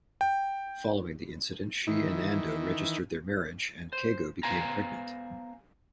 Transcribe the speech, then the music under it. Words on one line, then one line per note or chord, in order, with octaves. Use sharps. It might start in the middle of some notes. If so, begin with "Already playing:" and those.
Following the incident, she and Ando registered their marriage, and Kago became pregnant.
G5
D#3 E3
C5
B3 C5 F5 G#5 A#5